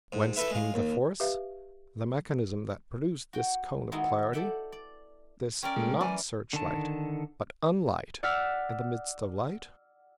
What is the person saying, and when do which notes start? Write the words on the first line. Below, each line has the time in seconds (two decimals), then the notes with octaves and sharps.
Whence came the force, the mechanism that produced this cone of clarity, this NOT searchlight, but unlight in the midst of light?
0.13 G#2
0.36 E4 A4 B4 E5
0.50 G#3 F4
0.74 D#2
1.20 G4 B4 E5 F5
3.33 F#4 G5
3.92 D#3 G#3 B3 D#4 E4 F#4
4.33 A4 D5 E5 F#5 G5
4.72 D5
5.63 C#4 A#4 D5 G5
5.76 A#2 G#3 A3
6.01 E3 F#3 D5 G#5
6.53 D3 D#3 A5
8.23 D5 F#5 E6 F6 B6